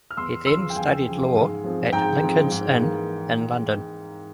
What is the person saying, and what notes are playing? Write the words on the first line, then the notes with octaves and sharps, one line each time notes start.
He then studied law at Lincoln's Inn in London.
F6
E2 C6 E6
C#3 F3 C6 E6
G5
E2 F5 G#5
C#3 F3
G#2
F3 G#3 C4
G#2 G5 A#5
F3 G#3 C4
G#2
E3 A#3